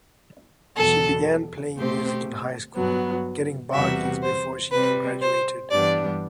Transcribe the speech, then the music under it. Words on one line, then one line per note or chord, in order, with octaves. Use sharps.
She began playing music in high school, getting bar gigs before she even graduated.
E2 B2 F#3 A4
B2 A3 C4 G4 C5
G2 F#3 B3
E2 C3 G3 B3 F#4 E5
C5
C3 G3 C4 B4
C5
G2 E3 G3 B3 D4 D5